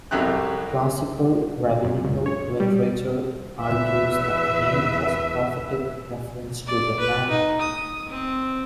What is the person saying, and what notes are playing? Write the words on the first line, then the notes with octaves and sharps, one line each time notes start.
Classical rabbinical literature argues that the name was a prophetic reference to the manna.
C2 F2 F#3 E4 G4 F#6
F#2
C#2
C#5
G3
E2 B4 E5
D5
B4
D#4
D#6
C4